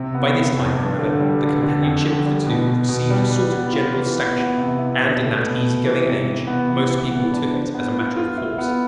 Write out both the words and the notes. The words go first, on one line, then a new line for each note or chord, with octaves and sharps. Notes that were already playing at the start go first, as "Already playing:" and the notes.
By this time, however, the companionship of the two had received a sort of general sanction, and in that easy-going age most people took it as a matter of course.
Already playing: C3 C4
B3
C3
F2
G2
D3
G3
D3
D3
F2
D3
G3
B2
B2
B2
G3
B4
B3
F4
E3
B3
B3
C3
E4
B2
A3
B2
B2
E3
C3
C3
B3
E3
E3
B3
D4
C5
B3
F4
F4
E4
B3